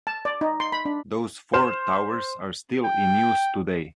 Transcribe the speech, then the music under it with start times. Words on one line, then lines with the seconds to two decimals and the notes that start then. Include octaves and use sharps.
Those four towers are still in use today.
0.07 A5
0.25 D5
0.41 D#4
0.60 C6
0.72 B5
0.85 D4
1.53 C5 F6 E7
2.84 G5